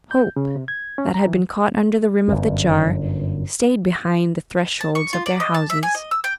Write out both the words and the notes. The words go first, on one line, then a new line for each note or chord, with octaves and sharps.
Hope, that had been caught under the rim of the jar, stayed behind the thresholds of their houses.
G6
C#3
C3
G#6
C#4
A#5
E3
G1 F#2
A5
C#6
F4
D5
D#5
A5
E5
G#5
D#5
E6
G5